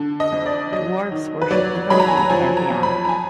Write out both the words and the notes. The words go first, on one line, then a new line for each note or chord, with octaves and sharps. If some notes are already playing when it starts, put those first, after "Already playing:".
Dwarves worship the Northern Pantheon.
Already playing: D3
D#5
F2
D5
F#3 D#5
D#3
B4
F#3 D5
F#3 B5
A#5
G#5
A#5
F3 G#5
A#5
F2
B5
A#5
G#5